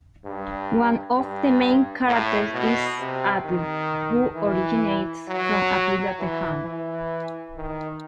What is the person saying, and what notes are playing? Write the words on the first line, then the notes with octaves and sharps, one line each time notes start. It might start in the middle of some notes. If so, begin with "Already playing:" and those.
One of the main characters is Atli who originates from Attila the Hun.
G2
G2
A2
B2
C3
D#3
E3
F#3
E3
E3
D#3